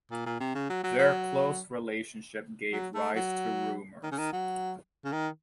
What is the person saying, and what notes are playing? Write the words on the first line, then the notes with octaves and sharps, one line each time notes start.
Their close relationship gave rise to rumors.
A#2
A#2
C3
C#3
F#3
F#3
F#3
F#3
A3
F#3
D#3
C#3
D#3
F#3
C#3
D#3